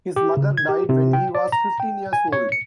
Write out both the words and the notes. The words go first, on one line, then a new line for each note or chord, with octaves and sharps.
His mother died when he was fifteen years old.
G4
C#3
G#6
G4
C3
G5
D5
A#5
G5
G#5
C#5
C#7